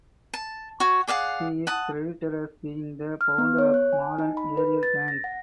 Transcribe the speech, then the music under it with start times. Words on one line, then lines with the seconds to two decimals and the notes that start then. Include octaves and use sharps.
She is credited as being the founder of modern aerial dance.
0.34 A5
0.80 F#4 C#5
1.08 G#4 D5 F5 F#5
1.67 F#5 A5 D#6
3.21 F6
3.38 B3
3.58 C#5
3.74 F#6
3.93 G#5
4.18 D#4
4.37 B5
4.57 B4
4.83 A6
5.08 A#6
5.24 F#5